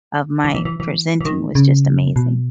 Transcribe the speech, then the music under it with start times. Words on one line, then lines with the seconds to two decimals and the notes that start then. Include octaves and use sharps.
of my presenting was just amazing.
0.44 E3
0.55 E3
0.65 E3
0.80 E3
1.21 E3
1.25 D#3
1.55 C#3
2.16 B2